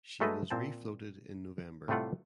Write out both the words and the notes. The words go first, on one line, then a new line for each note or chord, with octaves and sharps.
She was refloated in November.
F#3 G#3 A3 A4 B4 D#5
A#2 C4 C5 A5
A2 C3 G3 A3 F4 F#5